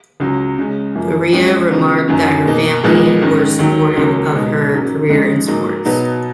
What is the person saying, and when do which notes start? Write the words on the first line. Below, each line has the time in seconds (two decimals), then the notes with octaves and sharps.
Barea remarked that her family were supportive of her career in sports.
0.20 C#2 C#3 F#3
0.58 C#3 G#3 C#4
0.95 F#2 F3 A#3
1.33 F2 F3 G#3 C#4
1.71 C#3 F3 B3 D#4
2.08 F#2 D#3 F#3 C#4
2.45 B2 A#3 D#4
2.83 A#2 F3 G#3 B3 D#4
3.22 G#2 D#3 G#3 C#4
3.59 D#2 D#3 F#3
3.96 C#2 C#3 F#3 A#3 C#4
4.35 B2 G#3 D#4
4.73 G#2 F#3 A#3 C#4
5.09 F2 C#3 G#3 D#4
5.47 G#2 F#3 A#3 D#4
5.85 B2 F#3 B3 D#4